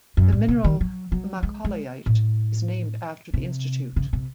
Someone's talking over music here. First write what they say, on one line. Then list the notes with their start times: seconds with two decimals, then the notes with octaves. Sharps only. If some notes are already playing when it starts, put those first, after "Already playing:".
The mineral Macaulayite is named after the Institute.
0.17 F#2
0.32 A2
0.48 C3
0.64 D#3
0.81 F#3
1.12 F#3
1.43 G#3
1.65 G#3
2.06 A2
3.34 C3
3.96 C#3
4.13 C3